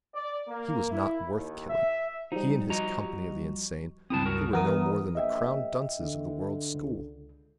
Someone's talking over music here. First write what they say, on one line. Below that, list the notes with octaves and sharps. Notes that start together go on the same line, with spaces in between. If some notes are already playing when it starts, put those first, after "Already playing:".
He was not worth killing, He and His company of the insane--they were no more than the crowned dunces of the world's school.
D5
A#3
E4
D#2
E5
F3 G3 D#4
F#4 D#5 A#5
C#2 G2 C4 E4 A5 D#6
F#4 A#4
E3 B3 A#4 D#6
A#1 D#5 E5 G5
D3
C#2